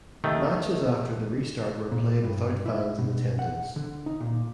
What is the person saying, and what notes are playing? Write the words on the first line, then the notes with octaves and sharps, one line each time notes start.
Matches after the restart were played without fans in attendance.
D#2 D#3 A3
A#2
G2
E4
B2
F#5
D3
D#4
A#2